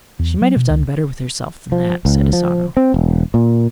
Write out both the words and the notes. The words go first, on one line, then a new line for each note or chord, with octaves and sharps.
"She might have done better with herself than that," said Asano.
E2
F#3
B2
C#2
F3
C#2
F3
C4
E1
A#2